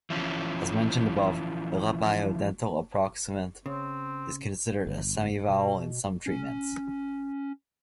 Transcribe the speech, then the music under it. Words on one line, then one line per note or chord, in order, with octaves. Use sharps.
As mentioned above, the labiodental approximant is considered a semivowel in some treatments.
E3 F3 C#4
C#3 C4
G1
B2
C#4